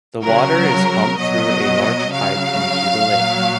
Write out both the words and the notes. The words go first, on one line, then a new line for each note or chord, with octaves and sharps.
The water is pumped through a large pipe into the lake.
C#3 F#3 A#4
B2 F#3 D#5
C#3 F#3 F5
A#2 F#3